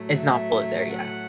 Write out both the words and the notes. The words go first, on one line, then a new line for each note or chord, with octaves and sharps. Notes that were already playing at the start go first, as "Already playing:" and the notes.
It's not fully there yet.
Already playing: A2 F#3 A3
E5
F#5